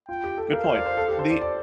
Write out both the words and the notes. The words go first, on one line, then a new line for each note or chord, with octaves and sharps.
good point. The
F4 G5
G4
A4
A#4 F5
C5
D5
C5
A4
G4
C5
D5
D5